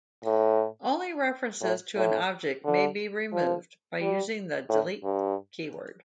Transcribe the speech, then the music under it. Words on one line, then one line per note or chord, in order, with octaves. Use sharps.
Only references to an object may be removed by using the "delete" keyword.
A2
A2
A2
D3
F3
G3
A2
G2